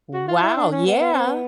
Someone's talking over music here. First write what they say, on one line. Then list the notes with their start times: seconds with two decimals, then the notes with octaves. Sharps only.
Wow, yeah!
0.13 F#4
0.28 F4
0.43 E4
0.56 D4
0.72 C#4
0.86 B3
1.01 B3
1.14 C4
1.27 B3